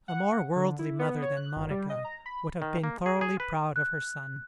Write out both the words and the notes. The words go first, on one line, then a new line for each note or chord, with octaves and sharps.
A more worldly mother than Monica would have been thoroughly proud of her son.
F#5
D3
E4
B3
C#5
F#6
G1
G3
D#5
A#5
B5
D#3
A#3
G#4
G#4
B4
F#6